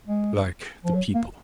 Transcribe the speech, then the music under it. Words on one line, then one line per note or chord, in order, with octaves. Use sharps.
Like the People.
G#3
F3
F#3
A#3